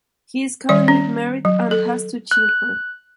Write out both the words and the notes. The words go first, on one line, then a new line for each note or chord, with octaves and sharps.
He is currently married and has two children.
D#3 G3 D5
C#4
F#3
A4
F#6